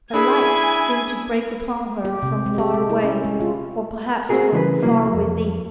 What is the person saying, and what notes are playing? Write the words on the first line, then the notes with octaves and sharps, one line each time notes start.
A light seemed to break upon her from far away--or perhaps from far within.
D4 E4 G#4 G#5 B5
G4
C3
G#3
G4
G#3
E4
C#4
G#3
F4
A3 C4 D#4 F#4 G#4 A#4
C#3 E3 G#4 B4
C2 F#3 A#3 E4
F2